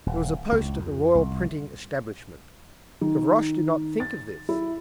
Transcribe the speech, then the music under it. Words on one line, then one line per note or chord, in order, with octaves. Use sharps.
There was a post at the Royal Printing Establishment. Gavroche did not think of this.
D#1
C#2
F2
C2
D#3
A6
E4